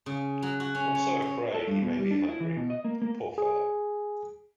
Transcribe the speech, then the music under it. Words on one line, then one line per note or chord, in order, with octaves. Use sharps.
I'm so afraid he may be hungry, poor fellow.
C#3
F#3
F#4
C#4
C#5
C#5
A4
G2
B2
G3
D4
E4
E3
B2
D#5
A#3
A#3
G#4